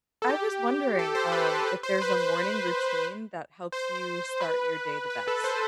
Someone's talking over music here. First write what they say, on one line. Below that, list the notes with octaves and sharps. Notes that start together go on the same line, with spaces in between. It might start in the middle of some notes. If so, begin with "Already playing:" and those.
I was wondering, um, if there's a morning routine that helps you start your day the best?
A4
G4
A4
C5
B4
C5
B4
C5
B4
B4
C5
B4
B4
A4
C5